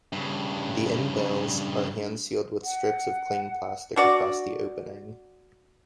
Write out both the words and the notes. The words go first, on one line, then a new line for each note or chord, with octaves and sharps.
The end-bales are hand-sealed with strips of cling plastic across the opening.
G2 C#3
F#5
D4 F#4 D5